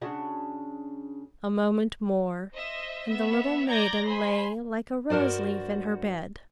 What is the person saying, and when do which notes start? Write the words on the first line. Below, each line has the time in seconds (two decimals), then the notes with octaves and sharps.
A moment more and the little maiden lay like a rose-leaf in her bed.
0.01 C#3 D4 F#4
2.52 C5 D#5 E5
3.07 B3 E5
3.68 D5 A#5 G6 G#6 A#6
4.07 C5 G#5 B5 C6
5.10 G2 F#4 A#4 C5 D5